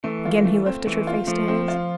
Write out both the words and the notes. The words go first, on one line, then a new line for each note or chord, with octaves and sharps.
Again he lifted her face to his.
E3 A3
F4
A3
C4
E3 A3
F4
F3 A3
C4
F4